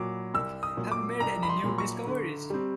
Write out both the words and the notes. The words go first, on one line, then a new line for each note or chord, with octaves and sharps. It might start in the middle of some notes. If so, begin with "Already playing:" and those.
Have you made any new discoveries?
Already playing: A#2 F#3 D6
C2 E6
D#6
A#2 F#3
D6
C2 A#5
B5
C6
A#2 F#3
C#6
D3
G3 C4